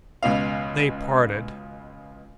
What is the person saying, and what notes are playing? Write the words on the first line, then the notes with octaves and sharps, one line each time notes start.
They parted.
C#2 B2 F5